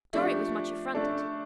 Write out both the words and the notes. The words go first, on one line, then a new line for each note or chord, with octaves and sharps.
Dorry was much affronted.
F3 A3 D4 G4
A3 D4 A4